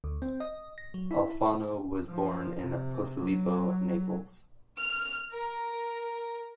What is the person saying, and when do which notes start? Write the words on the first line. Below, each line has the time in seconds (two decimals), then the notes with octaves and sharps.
Alfano was born in Posillipo, Naples.
0.04 D2
0.22 C4
0.40 D#5
0.78 A#6
0.94 F#3
1.11 E4
2.09 F3
2.63 C3
3.20 F#3
4.78 F6
5.32 A#4